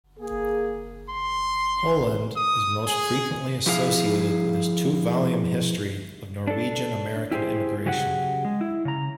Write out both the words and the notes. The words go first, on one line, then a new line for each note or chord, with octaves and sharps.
Holand is most frequently associated with his two volume history of Norwegian-American immigration.
A#3 G#4
C6
D#6
G#4
F3 E4 G#4 F5
D4 A4
E4 G4 G#4 C5
C#3 F#3 G4 G#4 C5 F#5
G#3
E4
C#3 A#5